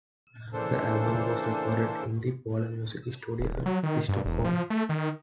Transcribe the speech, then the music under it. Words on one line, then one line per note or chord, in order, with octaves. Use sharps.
The album was recorded in the Polar Music Studios in Stockholm.
C#3 E3 A#3 D4 A4 C5
D#1
F#3
D#3
G2
E1
F3
A3
D#3